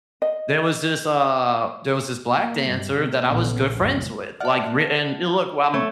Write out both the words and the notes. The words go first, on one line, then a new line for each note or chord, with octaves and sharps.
there was this, uh, there was this black dancer that I was good friends with. Like, re and a look, um,
D#5
A#3
G2 G3
C3
A#1 A#2 D3 B3 C#4
F#1 C#2
D5 E5 F#5 A5 F6
A3 C#5